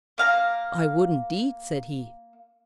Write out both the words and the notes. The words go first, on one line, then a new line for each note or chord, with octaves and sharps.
"I would, indeed!" said he.
A#3 F5 A#5